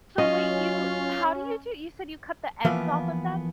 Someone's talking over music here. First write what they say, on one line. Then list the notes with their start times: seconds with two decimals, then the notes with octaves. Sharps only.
So, wait, you how do you do you said you cut the ends off of them?
0.18 F#3 C#4 F4 D#5
2.65 E3 F3 A#3 B3 F5